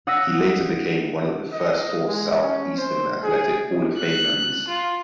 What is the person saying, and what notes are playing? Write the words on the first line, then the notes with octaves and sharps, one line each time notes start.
He later became one of the first four Southeastern Athletic Hall of Fame members.
F#5 D#6 E6 A#6 B6
D#5
G#3
C#4
C5
G#4
F#6
F4